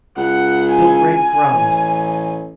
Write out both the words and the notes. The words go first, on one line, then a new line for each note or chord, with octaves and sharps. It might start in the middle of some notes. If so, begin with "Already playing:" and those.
Bill Gregg groaned.
C#2 F#5
G#5
A1